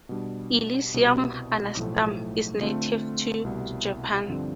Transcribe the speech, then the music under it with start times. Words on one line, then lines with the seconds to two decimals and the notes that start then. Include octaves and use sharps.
"Illicium anisatum" is native to Japan.
0.09 B2 G3 D4
0.94 C2 B2 G3 B3
1.77 B1 A2 F3 A3
2.61 D3 A3 C4 F4
3.44 C2 B2 G3
4.28 G2 D3 F3 C4